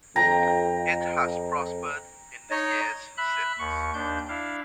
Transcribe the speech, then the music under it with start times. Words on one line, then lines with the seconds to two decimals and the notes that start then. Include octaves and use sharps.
It has prospered in the years since.
0.16 F2 G5 A#5
2.51 D#4 C#5 D#5
3.17 E5 B5 F#6
3.59 D#2 C#6
3.94 D#2 D4 G6
4.29 D4 E4 F5